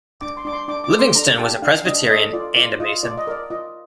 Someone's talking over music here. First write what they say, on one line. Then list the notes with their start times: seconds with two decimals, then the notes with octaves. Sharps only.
Livingston was a Presbyterian, and a Mason.
0.21 D4 D6
0.37 C6
0.45 D4 D6
0.53 C6
0.68 D4 D6
0.84 D6
0.91 A4
0.99 C6
1.15 D4 A#5
1.38 G4 A5
1.62 D4 F5
1.85 D4 D#5
2.09 A4 D#5
2.33 F4 D5
2.56 F4 D5
2.80 F4 D#5
3.03 F4 D5
3.18 D#5
3.27 A#4 D5
3.50 F4 D#5